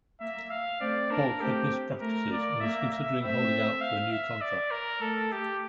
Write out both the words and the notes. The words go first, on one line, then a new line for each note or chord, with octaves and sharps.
Faulk had missed practices and was considering holding out for a new contract.
A#3 E5
F5
A3 C4 D5
A#3 D4 A#4
A3 C4 G4
A3 A#4
A#3 D5
A#3 E5
E5
A3 C4 E5
F5
E5
D5
A#4
A3 A4
G4